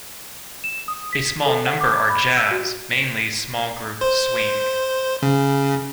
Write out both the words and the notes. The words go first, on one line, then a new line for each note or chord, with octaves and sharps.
A small number are jazz, mainly small group swing.
E7
D#6
B6
A4
F#5
D6
B5
E6
F#4
C5
C#3